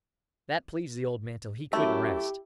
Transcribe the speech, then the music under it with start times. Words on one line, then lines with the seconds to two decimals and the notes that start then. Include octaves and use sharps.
That pleased the old man till he couldn't rest.
1.73 F#2 A3 E4 G4 D6